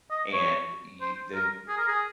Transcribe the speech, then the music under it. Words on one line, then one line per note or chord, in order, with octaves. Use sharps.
and y the
D#5
C#5
C5
A#4
G#4
A#4
G#4